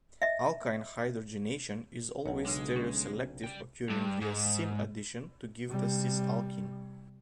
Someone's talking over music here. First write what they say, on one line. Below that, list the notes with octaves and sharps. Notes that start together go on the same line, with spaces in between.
Alkyne hydrogenation is always stereoselective, occurring via syn addition to give the cis-alkene.
D#5 E5
B1 C#5 F#5
C#3 G#3 D4
C#4
G3 G5
G2
G#2
C3 G3